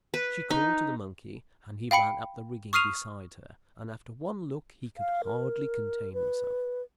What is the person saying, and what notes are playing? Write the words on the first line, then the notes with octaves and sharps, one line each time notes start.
She called to the monkey, and he ran up the rigging beside her, and after one look he could hardly contain himself.
B4
D#4
F5 G5 B5 C#7
C#6 D#6 F6 C7 D#7 F7
F5
A#4
B4